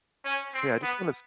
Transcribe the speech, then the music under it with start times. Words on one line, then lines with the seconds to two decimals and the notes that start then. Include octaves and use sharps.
Hey, I just wanna s
0.25 C#4
0.54 C4
0.82 B3